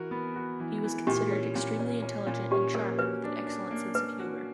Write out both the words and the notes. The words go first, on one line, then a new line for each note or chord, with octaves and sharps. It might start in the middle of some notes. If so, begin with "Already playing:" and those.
He was considered extremely intelligent and charming with an excellent sense of humor.
Already playing: E3 F#4 A#4
B3
F#4
E3
E3
A#2 G4
C#4
A#2
C#4
C#4
A#2
C#4 G4
A#3 A#4
F#4 B4
D4
D4
A#3
A#3 B4
F#4